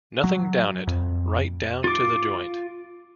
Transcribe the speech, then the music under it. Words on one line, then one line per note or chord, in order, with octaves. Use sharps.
Nothing down it, right down to the joint.
F#3
F2
F4 D6